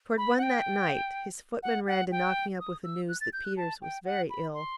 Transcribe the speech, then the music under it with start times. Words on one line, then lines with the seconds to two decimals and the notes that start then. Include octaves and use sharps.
Toward one that night, his footman ran to knock me up with the news that Peters was very ill.
0.17 B5
0.38 F#5
0.43 G5
1.63 F#5
1.87 F#5
2.11 G5
2.60 D#6
2.84 E6
3.09 F#6
3.21 A6
3.33 G6
3.44 F#6
3.57 A5
3.82 G5
4.05 F#5
4.30 B5
4.54 C6